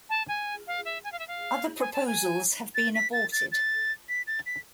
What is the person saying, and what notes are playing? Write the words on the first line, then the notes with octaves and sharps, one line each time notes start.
Other proposals have been aborted.
A5
G#5
F5
E5
G#5
F5
E5
F5
G#5
A5
G#5
A6
B6
A6
A6
A6
B6
A6
B6